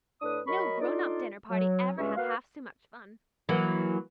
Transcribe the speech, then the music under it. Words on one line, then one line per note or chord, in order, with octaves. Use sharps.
No grown-up dinner party ever had half so much fun.
A2 D4 B4 D#6
F#3 A#4 D#5 B5 C#6
D4 D#4 F4 A4 D5
F#3
C#2 G2 G#3 C#4 E5 C#6
A#3 F#4 B4 F5
E3 F#3 A#3